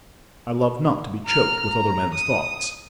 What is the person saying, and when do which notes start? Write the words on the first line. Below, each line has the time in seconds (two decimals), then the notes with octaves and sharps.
I love not to be choked with other men's thoughts.
1.26 A#5 F6
1.68 A#5
2.15 D#6